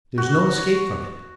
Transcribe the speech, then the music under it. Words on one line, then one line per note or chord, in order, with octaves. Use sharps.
There's no escape from it.
F#4